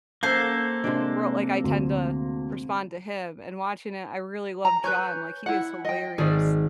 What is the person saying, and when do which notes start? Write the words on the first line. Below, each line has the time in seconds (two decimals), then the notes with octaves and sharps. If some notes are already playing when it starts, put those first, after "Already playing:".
like, wrote like, I tend to respond to him and watching it, I really love John, like, he is hilarious.
0.23 A#3 C#4 A4 C5 F#5
0.84 C3 G#3 D4
1.64 D2
4.65 A#5
4.84 B4 C#5 G#5 C#6 G6
5.46 E4 F#5
5.85 D#5 G5
6.18 G#1 G#4 D5